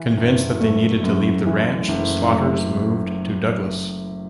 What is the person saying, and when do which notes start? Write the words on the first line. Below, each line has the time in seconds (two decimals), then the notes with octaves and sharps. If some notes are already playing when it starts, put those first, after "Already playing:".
Convinced that they needed to leave the ranch, the Slaughters moved to Douglas.
Already playing: E3
0.17 F#1
0.60 A3
1.03 F#2
1.46 E3
1.89 F#1
2.32 A3